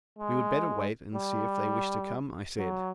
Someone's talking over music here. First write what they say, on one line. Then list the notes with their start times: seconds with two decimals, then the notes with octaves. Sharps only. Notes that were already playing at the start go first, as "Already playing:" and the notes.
"We would better wait and see if they wish to come," I said.
0.19 G#3
1.14 G3
2.58 F#3